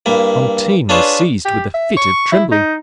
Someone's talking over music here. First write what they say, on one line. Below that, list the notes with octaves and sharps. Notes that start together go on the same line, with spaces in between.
Fantine was seized with a fit of trembling.
G2 A#3 E4
D4 F4 G#4 B4 C#5 E5
G4
E5
C#6
E4
D#4